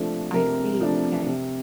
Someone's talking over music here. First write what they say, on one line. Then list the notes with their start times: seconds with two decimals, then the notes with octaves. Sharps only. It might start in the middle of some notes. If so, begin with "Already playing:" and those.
I see, okay.
Already playing: C3 F3 A3 D4
0.33 C3 A#4
0.80 F3 A3 D4
1.26 C3